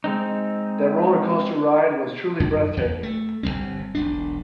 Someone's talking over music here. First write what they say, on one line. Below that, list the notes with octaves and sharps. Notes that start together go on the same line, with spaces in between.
That roller coaster ride was truly breathtaking.
G#3 C4 D#4
F#2
E2
A3
G1 F#2 G3 C4
E1 B1 D4